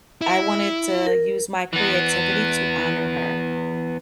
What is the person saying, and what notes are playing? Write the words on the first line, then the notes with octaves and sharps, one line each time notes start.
I wanted to use my creativity to honor her.
E4
A#4
E3 B3